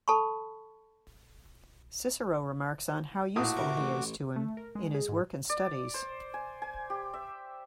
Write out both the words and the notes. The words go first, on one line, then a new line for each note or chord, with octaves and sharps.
Cicero remarks on how useful he is to him in his work and studies.
A4 A5 B5 C#6
A#1 A2 F#4 D6 D#6
C3 A#4
A1
A3
A#4
G#3
G#4
G#2
D5
C5
G#5
G#5
G4
E5